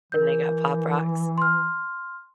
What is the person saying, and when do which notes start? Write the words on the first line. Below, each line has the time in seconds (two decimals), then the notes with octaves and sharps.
And they got Pop Rocks.
0.12 E3 A#4 G6
1.38 C6 F6